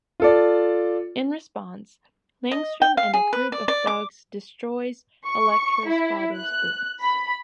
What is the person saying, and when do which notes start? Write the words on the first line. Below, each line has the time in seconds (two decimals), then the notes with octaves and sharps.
In response, Langstrom and a group of thugs destroys Elektra's father's business.
0.20 F4 A4 D5
2.51 D#5
2.82 G5
2.97 F5
3.13 G#4
3.33 B4
3.52 D5
3.68 D5
3.87 D6
5.27 C#6
5.89 E4
6.36 F#6
7.01 B5